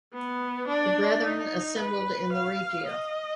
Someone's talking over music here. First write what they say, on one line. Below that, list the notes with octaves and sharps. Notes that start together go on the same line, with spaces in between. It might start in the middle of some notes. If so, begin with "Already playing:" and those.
The Brethren assembled in the Regia.
B3
D4
D#4
B4
F5
D#5